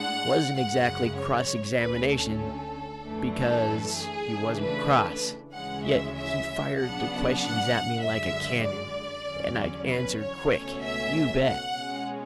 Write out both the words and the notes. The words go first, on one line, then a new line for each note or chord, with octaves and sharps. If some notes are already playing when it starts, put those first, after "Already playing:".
It wasn't exactly cross-examination, because he wasn't cross, yet he fired the questions at me like a cannon, and I answered quick, you bet.
Already playing: A2 G#3 D4 F#5
F#2 C#3 G#3 F#5
C#5
D2 D3 A3 C#4 B4
A4
F#2 E3 A3 D4
A4
G#4
C#3 E3 A3 D4
B4
D2 C#3 E3 G#3 C#4 F#5
E5
E5
C#3 F#3 B3 D4 F#5
F#5
F#2 D3 G#3 E5
D5
E2 D3 F#3 C#4
B4
C#5
C#2 B2 A3 C#4
E5
F#5
B2 G#3 C#4